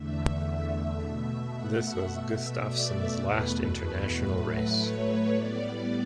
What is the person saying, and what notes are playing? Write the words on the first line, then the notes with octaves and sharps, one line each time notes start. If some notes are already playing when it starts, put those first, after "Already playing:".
This was Gustafson's last international race.
Already playing: E2 D3 A3 E5
E5
B2 A3
F#5
B2 A3 E5
D5
E2 B2 A3 B4
A2 F#3 A3
C#5
A2 G3 B3 D5